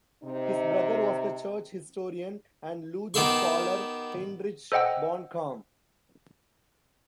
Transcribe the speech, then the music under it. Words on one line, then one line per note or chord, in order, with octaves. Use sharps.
His brother was the church historian and Luther scholar Heinrich Bornkamm.
C3 D#4
D#3 B3 G4 E5 C6 C#6
A4 C5 D#5 F#5 G5 E6